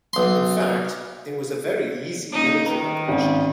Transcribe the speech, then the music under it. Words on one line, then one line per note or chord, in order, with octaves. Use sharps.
In fact, it was a very easy military operation.
B1 C6
A#3 C#4 D#4
D#3 B4 A#5
G#1 C#4